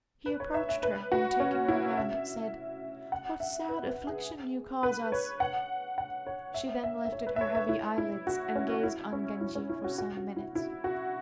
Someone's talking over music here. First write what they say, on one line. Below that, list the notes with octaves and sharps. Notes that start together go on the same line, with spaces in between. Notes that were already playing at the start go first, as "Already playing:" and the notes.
He approached her, and taking her hand, said: "What sad affliction you cause us!" She then lifted her heavy eyelids, and gazed on Genji for some minutes.
B4
C#5
E5
E5
B4
F#4
C#4
E4
E5
F#5
E5
B4
B4
G#4
B4
C#5
F#5
F#5
C#5
E5
E5
E5
C#5
B4
E5
C#5
E5
E4
E4
F#4
C#4
E4
C#4
E4
C#4
E4
F#4
F#4
F#4
E4
E4
F#4